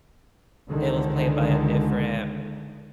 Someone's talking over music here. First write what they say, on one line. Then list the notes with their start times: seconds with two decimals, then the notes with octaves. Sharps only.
it was played by a different
0.70 C#2 D3 D#3 G#3